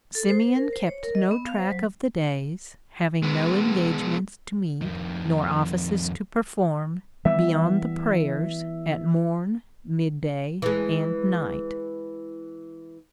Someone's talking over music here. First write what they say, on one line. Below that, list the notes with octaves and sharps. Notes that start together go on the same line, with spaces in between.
Simeon kept no track of the days, having no engagements to meet, nor offices to perform, beyond the prayers at morn, midday and night.
A4
C5
C5
A#4
C5
C#5
A#4
D#5
B3
F5
C5
F#3
G#3 B3
F2 D#3
E3 G3 B3 E5
E3 G#3